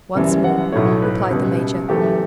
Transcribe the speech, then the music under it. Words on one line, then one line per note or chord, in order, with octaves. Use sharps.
"Once more," replied the major.
F#1 F#2 C#3 E3 G3
F#5
B1 A2 F#3 A3 C#5
B4
C#2 B2 G3
F#1 F#2 E3 A3 G4